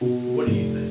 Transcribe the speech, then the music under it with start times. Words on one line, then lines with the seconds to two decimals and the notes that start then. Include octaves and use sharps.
What do you think?
0.01 B2
0.46 F1